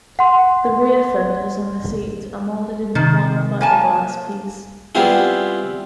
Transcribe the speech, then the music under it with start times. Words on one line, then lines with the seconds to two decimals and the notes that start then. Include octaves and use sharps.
The rear fenders and seat are molded into one fiberglass piece.
0.19 F#5 C6
2.95 C3 D#3
3.61 A#3 G#5 A5
4.95 G3 B3 C4 E4 F4 G#4